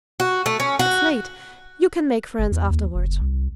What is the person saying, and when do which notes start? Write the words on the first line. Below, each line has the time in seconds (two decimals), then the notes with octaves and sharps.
"It's late. You can make friends afterward."
0.20 F#4
0.46 A3
0.60 C#4
0.79 F#4
2.39 G1
2.51 E2
2.70 D#2
2.95 F#1
3.21 C2